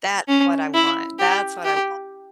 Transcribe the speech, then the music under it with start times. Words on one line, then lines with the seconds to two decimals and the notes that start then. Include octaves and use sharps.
That's what I want, that's what I want,
0.28 C#4
0.74 E4
1.19 G4
1.64 G4